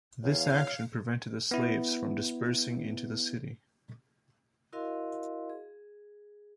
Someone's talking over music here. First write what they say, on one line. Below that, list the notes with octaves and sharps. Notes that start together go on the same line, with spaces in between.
This action prevented the slaves from dispersing into the city.
E2 C#5 F5
B3 E4
E4 F#4 A#4 D#5 F5 C6
G#4